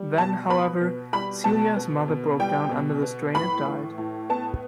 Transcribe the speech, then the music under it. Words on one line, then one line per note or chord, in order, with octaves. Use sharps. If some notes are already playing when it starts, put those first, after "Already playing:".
Then, however, Celia's mother broke down under the strain and died.
Already playing: G3
B2 A5
B3 B5
B2
G3 B5
B2 A5
B3
B2
G3 G5
B2
B3
A2 B5
E3
A2
B3 A5